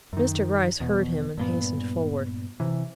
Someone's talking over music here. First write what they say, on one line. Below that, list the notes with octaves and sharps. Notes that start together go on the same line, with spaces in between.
Mr. Gryce heard him and hastened forward.
F#2 D#3
E2 B2
G2 A#2 B3
C3 E3